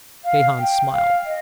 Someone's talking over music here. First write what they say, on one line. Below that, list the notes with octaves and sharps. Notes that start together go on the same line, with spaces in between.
Gahan smiled.
F5
G5
F5
D#5